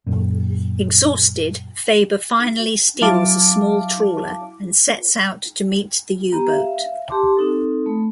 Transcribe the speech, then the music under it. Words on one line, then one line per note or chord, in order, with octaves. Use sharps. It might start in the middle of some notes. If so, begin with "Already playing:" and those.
Exhausted Faber finally steals a small trawler and sets out to meet the U-boat.
F#2 A#2
F#3 E4 F5 A5 D6
B3 G4 A#5
E5 F5
G4 A5 C6 D6
C4 D#4 A4
A3